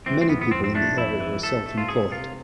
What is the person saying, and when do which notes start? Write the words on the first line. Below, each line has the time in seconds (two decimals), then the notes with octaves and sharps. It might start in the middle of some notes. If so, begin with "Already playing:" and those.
Many people in the area are self-employed.
0.06 E3 C4
0.21 C4
0.29 F2 B3
0.41 B3
0.51 F2 C4
0.64 C4
0.75 A3 D4
0.97 F2 E4
1.20 E3
1.43 A3 A4
1.66 A3
1.78 F4
1.88 C3 G#4
2.11 C3 F4